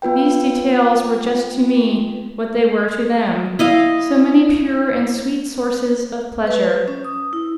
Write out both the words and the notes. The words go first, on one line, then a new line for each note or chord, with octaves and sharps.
These details were just to me what they were to them--so many pure and sweet sources of pleasure.
B3 F4 B4 G5
E4 D#5 F5
B4
C#4
D#6
E4